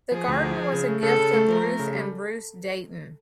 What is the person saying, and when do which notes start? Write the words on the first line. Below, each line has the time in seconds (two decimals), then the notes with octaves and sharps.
The garden was a gift of Ruth and Bruce Dayton.
0.12 F3 G#4
0.28 D2
0.43 F3
0.57 F3
0.72 C#3
0.88 A3
1.03 C#3 A4
1.19 C#3
1.33 A3
1.48 F3 A#4
1.64 A3
1.79 C#3
1.95 G3